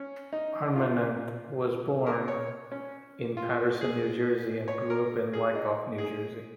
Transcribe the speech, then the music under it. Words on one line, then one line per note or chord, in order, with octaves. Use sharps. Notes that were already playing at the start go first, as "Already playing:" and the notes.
Armenante was born in Paterson, New Jersey, and grew up in Wyckoff, New Jersey.
Already playing: C#4
D#4
F4
A#4
C#5
C#4
F4
G#4
C#5
A#4
A#4
G#4
D#4
G#4